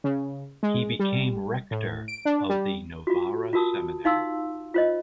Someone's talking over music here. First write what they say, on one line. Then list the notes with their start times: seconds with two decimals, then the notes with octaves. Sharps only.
He became rector of the Novara seminary.
0.04 C#3
0.63 G#3
0.99 G3
1.71 A2
2.08 D7
2.25 D4
2.49 G3
3.07 F4 F#4
3.53 F4 F#4 A#4 A5 D#6
4.05 D#4 F5 C6 E6
4.74 F4 C5 D#5